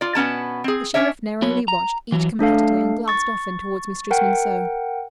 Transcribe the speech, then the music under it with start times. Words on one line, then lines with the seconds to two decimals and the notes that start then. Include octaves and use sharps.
The Sheriff narrowly watched each competitor, and glanced often towards Mistress Monceux.
0.01 F4 D5
0.15 B2 B3 C#4 A5
0.64 C4 G#4
0.94 C#4 D4 C#5 E5
1.42 F#3 B3 C#5
1.68 A#5
2.12 E3 F#3
2.39 A3 D4 A4 F5
3.08 C#6 A6
4.11 A#4 F#5 G5